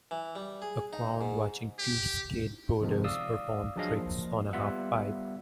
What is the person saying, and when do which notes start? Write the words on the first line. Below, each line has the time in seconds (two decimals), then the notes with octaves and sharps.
A crown watching two skateboarders perform tricks on a half pipe.
0.11 E3
0.36 G3
0.62 G#4
0.93 D#4
1.21 G#2
1.79 G4
2.82 F2 C3 D#3 F3 G#3
3.04 D5 F5 D#6 E6
3.76 F3 F#3 D4 G#4 D#5 F5
3.97 F3 A#3
4.53 G3 B3 F4 E5 F#5